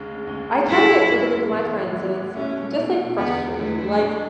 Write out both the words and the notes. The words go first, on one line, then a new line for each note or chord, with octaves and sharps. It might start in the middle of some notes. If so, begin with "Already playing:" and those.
I tried it with a group of my friends, and it's just, like, frustrating. Like,
Already playing: D2 C#3 G#3
D2 C#3 G#3
F#2 C#3 G#3 E4
F#2 C#3 G#3
A1 A2 E3 B3 E4
A1 A2 E3 B3 E4
B2 A3 C#4 E4
B2 A3 E4
E2 D3 G#3 B3
E2 D3 G#3 A3
A2 G#3 D4